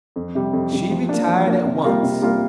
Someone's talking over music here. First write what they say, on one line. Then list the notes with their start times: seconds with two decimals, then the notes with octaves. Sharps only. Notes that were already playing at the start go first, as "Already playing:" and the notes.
She retired at once.
0.16 F2
0.35 C3 G3
0.53 F2
0.72 C3 G3
0.91 F3
1.09 A#3 D4
1.27 F3
1.47 A#3 D4
1.66 C3
1.84 G3 A#3 F4 A#4
2.03 C3
2.22 G3 A#3 F4 A#4